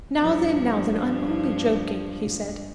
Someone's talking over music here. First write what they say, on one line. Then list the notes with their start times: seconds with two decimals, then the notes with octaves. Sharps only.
"Now then, now then, I'm only joking!" he said.
0.18 G2 F3